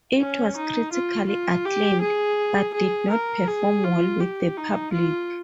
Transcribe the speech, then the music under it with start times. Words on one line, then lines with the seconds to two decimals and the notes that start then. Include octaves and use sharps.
It was critically acclaimed, but did not perform well with the public.
0.20 C#4
0.57 D#4
0.92 F4
1.29 F4
1.65 G4
2.01 G#4
2.74 G#4
3.11 A#4
3.47 G#4
3.84 F4
4.20 G4
4.57 D#4
4.93 F4